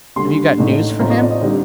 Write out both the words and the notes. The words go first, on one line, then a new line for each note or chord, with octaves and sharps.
"Have you got news for him?"
D2 D3 G3 C6
A1 A2 A3 D#4
A1 A2 A3 C4 F4 A#5
D#5
D5
D#5
D3 G3 C4 D#4 D#5